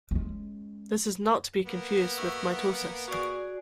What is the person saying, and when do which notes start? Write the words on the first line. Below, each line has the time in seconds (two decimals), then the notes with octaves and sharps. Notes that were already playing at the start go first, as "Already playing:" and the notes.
This is not to be confused with mitosis.
0.11 G#3 C#4
1.65 A#3 B3
2.17 A3 F#4 E5
3.08 F#4 G#4 C#5 D5